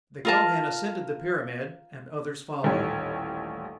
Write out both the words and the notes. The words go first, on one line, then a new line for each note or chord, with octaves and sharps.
The Kohen ascended the pyramid, and others followed.
F4 A#4 A5
D#1 A1 G3 C#5